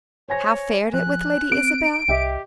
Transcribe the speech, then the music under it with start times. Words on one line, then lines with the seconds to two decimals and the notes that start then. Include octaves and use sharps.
How fared it with Lady Isabel?
0.28 C5 C#5 G#5 A#6
0.94 F3 F#6
1.52 C4 D7
2.08 C2 G4 D#5 E5 G5